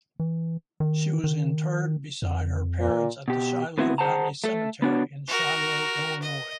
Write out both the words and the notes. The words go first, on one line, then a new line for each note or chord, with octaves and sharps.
She was interred beside her parents at the Shiloh Valley Cemetery in Shiloh, Illinois.
E3
D#3
D#3
F2
A#2
B2 G4
A2 B3 C4 E4 F#4
G#4 C5 F#5 A5 A#5
A3 A4
B3 D4 F#4 C#5
F#4 A#4
D#5